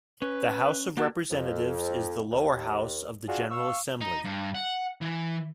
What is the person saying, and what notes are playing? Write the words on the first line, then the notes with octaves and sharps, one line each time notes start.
The House of Representatives is the lower house of the General Assembly.
C#4 B4
A#3 F#4 G4 A4
F2
D#2
D4 F4 F#4 G#4
F5 C#6 E6
D#4
G2
F#5
E3